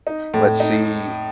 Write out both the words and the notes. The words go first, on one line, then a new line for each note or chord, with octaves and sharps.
Let's see
D#4
A2
D#4